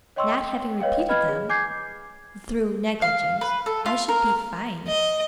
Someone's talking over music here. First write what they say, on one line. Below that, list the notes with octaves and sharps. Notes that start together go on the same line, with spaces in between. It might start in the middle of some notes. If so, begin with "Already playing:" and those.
"Not having repeated them, through negligence, I should be fined."
C#5 D#5 G5 C6 C#6 E6
G5
B4 C#5 D#5 F5 G5
B4 D#5 B5 F6 G#6
G#4
G#5 D6 G6 G#6 C7
F5
B4
A4
F4
A#4
D#5